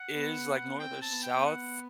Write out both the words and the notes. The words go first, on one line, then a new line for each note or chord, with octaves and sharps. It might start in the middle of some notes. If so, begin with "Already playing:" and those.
is, like north or south.
Already playing: F#5
B3
C4 G5
A5
B3
G5
F#5